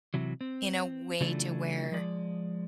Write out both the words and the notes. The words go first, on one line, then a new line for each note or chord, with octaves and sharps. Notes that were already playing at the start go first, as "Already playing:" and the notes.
in a way to where
C3 E3 F#3
C4
C#3 E3 F#3 A3 D4 F4
F3 G#3 D5